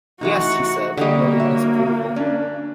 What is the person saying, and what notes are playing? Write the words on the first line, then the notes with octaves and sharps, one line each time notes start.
"Yes," he said, nodding his approval.
C3 E3 A3 D#4 F#4
D3 G3 A#3 G4 C#5 D#5
F#4 C#5 E5
C#4 D4 D5